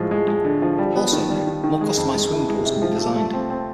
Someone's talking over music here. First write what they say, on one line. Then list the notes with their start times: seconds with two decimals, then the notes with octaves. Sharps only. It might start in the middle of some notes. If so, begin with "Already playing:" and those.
Also new, more customized swimming pools can be designed.
Already playing: A2 F3 G#3
0.11 G#3
0.28 G#3
0.45 D3
0.62 F3
0.78 G3
0.96 B3
1.13 D#3
1.30 G3
1.47 D#3
1.64 D#3
1.81 G#3
1.97 F2
2.14 G#3
2.32 E3
2.49 G#3
2.65 C3
2.82 F3
2.99 A3
3.16 A3
3.33 C4
3.50 C4